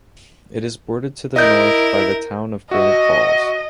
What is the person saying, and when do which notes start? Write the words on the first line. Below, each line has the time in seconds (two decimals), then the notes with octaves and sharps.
It is bordered to the north by the town of Granite Falls.
1.36 E4 A#4 D#5 G6
2.71 F#4 D#5 E5